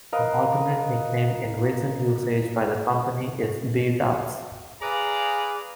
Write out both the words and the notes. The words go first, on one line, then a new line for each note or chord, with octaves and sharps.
An alternate nickname in recent usage by the company is B-Dubs.
A#4 B4 D#5 F5
G#4 B4 D5 F5 A#5